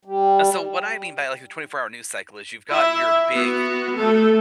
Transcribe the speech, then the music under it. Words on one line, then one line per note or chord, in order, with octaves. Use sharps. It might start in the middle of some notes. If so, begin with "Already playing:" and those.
s so, what I mean by like a twenty-four-hour news cycle is you've got your big
G3
E4 E5
B3 F#4
A3 A4